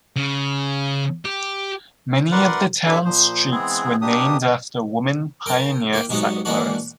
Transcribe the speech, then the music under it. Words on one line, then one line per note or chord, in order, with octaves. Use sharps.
Many of the town's streets were named after women pioneer settlers.
C#3
G4
D2 A#4 B4 D5 F#5 C6
C3 F#3 D4 A4 E5 G#5
A#2 F3 C5
E3 G#3 B3 C4 G#4
B2 A#3 D4 G4 D#6
A#4 G5 A5 A#5
A#3 E4 F5 G5
G#2 C3 F#3 G#3 B3 D#4
E3 G#3 A#3 C4 D4 F#4